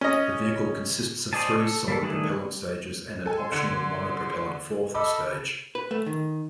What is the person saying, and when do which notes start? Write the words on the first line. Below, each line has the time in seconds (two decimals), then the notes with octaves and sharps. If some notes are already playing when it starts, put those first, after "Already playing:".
The vehicle consists of three solid propellant stages and an optional monopropellant fourth stage.
0.01 C#4 D#5
1.33 C5 D5 D#5 G#5 A5
1.60 A4
1.88 G3 A#3 A4
2.02 D#3 G3 A3 D4 G#4
3.26 A4 G#5
3.38 C6
3.52 D3 G#6
4.94 A4 D#5 B5 D6
5.75 B4
5.91 A3
6.06 D#3